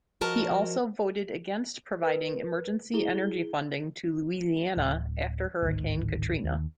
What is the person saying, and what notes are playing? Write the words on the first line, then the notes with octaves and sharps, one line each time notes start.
He also voted against providing emergency energy funding to Louisiana after Hurricane Katrina.
F3 F#4 A#4 D#5 A5
A#4 B4
E4 G#4 G7
D1
D1 G#1 D#3
D#2